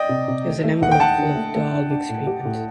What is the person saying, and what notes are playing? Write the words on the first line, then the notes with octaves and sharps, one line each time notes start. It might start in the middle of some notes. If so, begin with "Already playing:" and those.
It was an envelope full of dog excrement.
Already playing: D5 D#5 G5
C3
C3
A3
A3
D#2 F#5
G5
D#2 F#5 A5
D3
A3
A3
D4
D4
A2
G4
A2